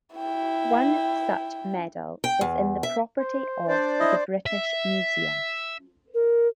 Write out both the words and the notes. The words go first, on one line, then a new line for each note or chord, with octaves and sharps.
One such medal is in the property of the British Museum.
E4 G5
G5
E2
E5
C5
D4 C5 D5
E4 D#5
E5
A#4